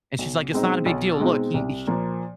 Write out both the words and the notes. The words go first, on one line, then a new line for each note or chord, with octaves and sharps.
And she's, like, "It's not a big deal. Look. He he
B1
B2 G#3 C4 D#4
B1
B2 G#3 C4 D#4
C2
A#2 F3 A#3